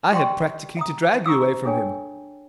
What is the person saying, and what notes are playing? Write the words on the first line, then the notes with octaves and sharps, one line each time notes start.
I had practically to drag you away from him.
G4 D5 G5 C6 C#6
E5 A#5 D#6
A#5 C#6 D#6 E6
D4 G#4 A4 C#5 G5 G#5